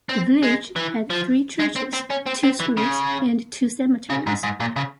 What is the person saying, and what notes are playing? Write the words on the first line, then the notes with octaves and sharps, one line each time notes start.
The Village had three churches, two schools, and two cemeteries.
C4
G#3
E3
F3
G#3
C4
C4
C#4
C4
C4
E3
C#3
C#3
G#2
G#2
A#2
C#3